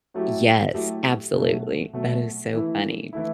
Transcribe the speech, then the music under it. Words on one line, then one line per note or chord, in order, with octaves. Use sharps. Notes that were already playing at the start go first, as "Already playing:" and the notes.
Yes. Absolutely. That is so funny.
F#3 A3 E4 G4
F#3 A3 E4 G4
B2 F#3 A3
B2 F#3 A3
E3 A3 E4
E3 A3 E4